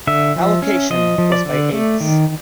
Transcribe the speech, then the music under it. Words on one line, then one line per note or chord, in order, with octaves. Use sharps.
Allocation was by eighths.
D3 E5
F3
C#4
F3 D#5
F3
D5
D3
A3
D#3